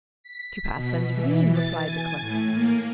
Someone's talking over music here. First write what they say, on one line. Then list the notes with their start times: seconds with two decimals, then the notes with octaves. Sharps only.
"To pass under the beam," replied the clerk.
0.23 B6
0.74 B2
1.13 E3
1.53 A6
1.85 G#5
2.21 A2
2.55 A#3